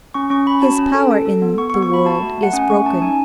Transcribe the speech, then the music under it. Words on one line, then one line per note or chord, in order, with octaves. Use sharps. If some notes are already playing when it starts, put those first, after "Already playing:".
His power in the world is broken.
C#4 C#6
C#4 C#6
C#4 B5
F#4 A5
C#4
A4
A4
A4
B3
B3 C#6
C#6
B3
C#6
F#4 B5
F#4 A5
A3
A3
F#5
C#4 G#5
A3 C#6
C#4 A5
D#4 G#5